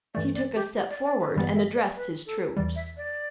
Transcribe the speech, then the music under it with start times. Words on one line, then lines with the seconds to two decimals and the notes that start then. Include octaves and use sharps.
He took a step forward and addressed his troops.
0.14 G2 E3 A3 D5
0.35 D5
0.55 G4
0.75 G4
0.90 D5
1.05 D5
1.20 B4
1.35 G1 G2 E3 G3 B3 D5
1.55 E5
1.75 D5
1.96 B4
2.26 A4
2.56 E2 E3 G3 D5
2.76 E5
2.97 D5